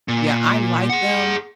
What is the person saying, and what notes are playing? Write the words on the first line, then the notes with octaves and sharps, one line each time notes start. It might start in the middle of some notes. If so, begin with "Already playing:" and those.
Yeah, I like them,
A#2
G#4 F#5